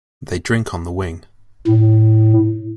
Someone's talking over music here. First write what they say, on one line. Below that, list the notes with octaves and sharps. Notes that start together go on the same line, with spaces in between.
They drink on the wing.
A2